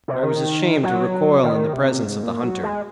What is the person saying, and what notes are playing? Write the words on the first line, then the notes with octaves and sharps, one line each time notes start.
But I was ashamed to recoil in the presence of the hunter.
C3
D#3
F#3
D#3
C3
G#2
A#2
F#3
G#3